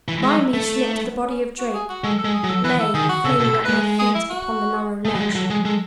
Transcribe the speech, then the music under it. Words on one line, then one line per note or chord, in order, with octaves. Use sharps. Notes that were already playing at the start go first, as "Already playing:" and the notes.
By me slipped the body of Drake; lay flaming at my feet upon the narrow ledge.
E3
G#3 E4
A3
D#4
B3
C#4
F#4
G#4
F#4
G#3 A4
A4
G#3
G#4
F#3
A4
E3 B4
A4
D#3 G#4
F#4
C#3 A4
B2
A4
G#3 B4
G#4
E4
F#4
A3 G#4
F#3
G#3
F#3 A4
G#3 G#4
G#3 A4